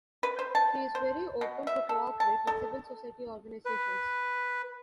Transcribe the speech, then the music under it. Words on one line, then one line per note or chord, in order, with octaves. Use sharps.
She is very open to cooperate with Civil society organizations.
B4
C5
A5
C5
B2
E5
A4
A5
A4
B4